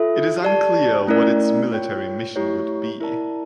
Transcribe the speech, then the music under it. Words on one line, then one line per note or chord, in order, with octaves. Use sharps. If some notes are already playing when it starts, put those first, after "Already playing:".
It is unclear what its military mission would be.
Already playing: F4 A4 E5
G4 D5 A5
A3 C#4 E4 A#4 D5
F4 C#5 G5
A3 E4 G4 C#5
E4 A#4 D5 A5